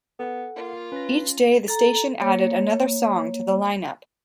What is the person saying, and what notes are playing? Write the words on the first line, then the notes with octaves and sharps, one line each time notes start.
Each day the station added another song to the line up.
B3 A4 F#5
A#3 F4
C#4 B4 A#6
A4 A#5
A#3 C#5